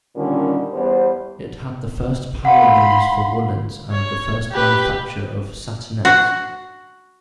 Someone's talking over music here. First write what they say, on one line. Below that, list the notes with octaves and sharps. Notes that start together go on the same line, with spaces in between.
It had the first power looms for woolens and the first manufacture of "satinets".
A#2 D3 D#3 G3 C#4
E2 G3 B3 C5
F5 F#5 B5 C6
C#5
G4 B4
F#4